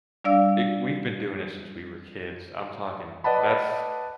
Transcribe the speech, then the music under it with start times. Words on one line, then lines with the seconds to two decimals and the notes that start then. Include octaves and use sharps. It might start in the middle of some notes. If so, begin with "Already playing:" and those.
like, we've been doing it since we were kids, I'm talking that's
0.24 G3 D4 D5 F5 E6
3.24 B4 D5 D#5 F#5 A5 B5